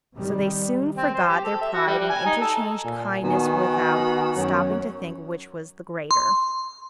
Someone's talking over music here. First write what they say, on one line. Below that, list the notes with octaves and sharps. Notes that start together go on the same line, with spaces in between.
So they soon forgot their pride and interchanged kindnesses without stopping to think which was the greater.
C3 D#3 G3
C4
C5
G4
A4
E5
F#4
G3
G3
G#5
D#4
A4
A#2 G#5
D#3 B3 F#4
F#2 C#5
C6